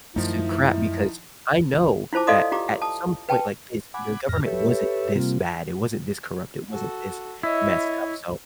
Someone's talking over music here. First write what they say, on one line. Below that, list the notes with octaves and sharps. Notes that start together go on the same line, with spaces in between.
to crap? Because I know that at some point, like, this the government wasn't this bad, it wasn't this corrupt, it wasn't this messed up. So,
F#2 D#3 F3 A3 D#4 E4
E4 F4 C5 A5 D6
A4 D5 D#5 F5 C6 D#6
F4 G4 A#5 D6
A5 D#6
B4 G5 A5
F#5 G#5 B5 D6
F2 A2 F6 A#6
G4 A4 B4 C#5 E5
C3 G3 A#3 C4 F4
F#4 A4
E4 C#5 D#5